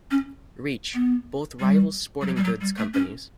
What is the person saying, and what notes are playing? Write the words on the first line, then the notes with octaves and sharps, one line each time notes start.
Reach, both rival sporting goods companies.
C#4
B3
G3
G3
F#3
G3
F#3
G3
A3
C#4